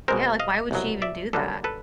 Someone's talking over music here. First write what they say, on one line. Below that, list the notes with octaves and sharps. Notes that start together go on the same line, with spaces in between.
Yeah, like, why would she even do that?
B2 G#3 C4 A#4 C5
D#5 F5
C2 B2 F#3
D5 E5
F#2 D3 G3 A#3 D4 A4 B4
A4 B4